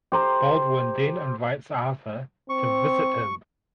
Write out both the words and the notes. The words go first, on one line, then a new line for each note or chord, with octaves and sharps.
Baldwin then invites Arthur to visit him.
G4 C5 A#5
C4 C#6